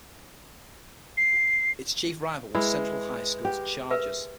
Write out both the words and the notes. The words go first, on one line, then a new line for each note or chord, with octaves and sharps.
Its chief rival was Central High School's Chargers.
C7
G#3 E4 B4
G4
A#4 B4 E5